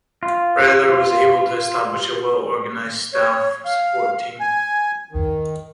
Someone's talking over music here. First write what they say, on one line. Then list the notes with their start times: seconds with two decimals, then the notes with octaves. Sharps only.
Berthier was able to establish a well-organized staff support team.
0.23 F4
0.90 F4
3.14 C#5
3.65 F5
4.40 G#5
5.12 D#3